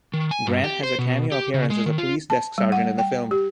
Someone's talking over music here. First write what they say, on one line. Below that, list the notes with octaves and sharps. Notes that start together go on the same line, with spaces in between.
Grant has a cameo appearance as a police desk sergeant in the film.
D#3
G#5
G2
G4
C5
B2
G4
C#3
G#3
D#3
F4
A5
G3
F#5
G5
G4